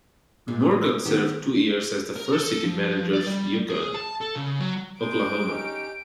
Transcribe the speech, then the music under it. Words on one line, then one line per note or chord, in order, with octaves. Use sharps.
Morgan served two years as the first city manager of Yukon, Oklahoma.
A2 G#3
D#3 F#3 B3 G4
A#4
A4
F3
D5
G3
G#4
A5
A4
C#3
F#3
G#3 C5 D7
C#4 D#4 G4